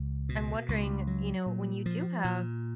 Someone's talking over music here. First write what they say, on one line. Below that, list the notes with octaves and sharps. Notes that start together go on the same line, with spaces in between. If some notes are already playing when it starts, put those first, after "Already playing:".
I'm wondering, you know, when you do have
Already playing: C#2
B2
C#2
F#3
A#2
F3
A#2